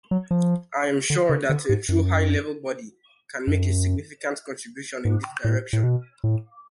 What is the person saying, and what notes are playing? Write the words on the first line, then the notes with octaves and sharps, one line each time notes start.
I am sure that a true high-level body can make a significant contribution in this direction.
F#3
F3
D3
C#3
D3
G#2
F#2
F#2
G#2
A2
A2
B2
A2